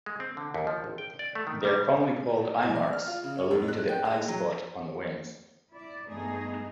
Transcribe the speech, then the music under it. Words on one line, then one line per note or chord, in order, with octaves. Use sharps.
They are commonly called eyemarks, alluding to the eyespot on the wings.
G#3
C4
D3
D#2
F3
G#1
G5
D5
A3
D#3
G3
E4
D5
F6
F4
C#3
C#5
F2
F#6
G5
G#3
F#3
E4 D5
G2 G#3 A3 B3 D#4 G#4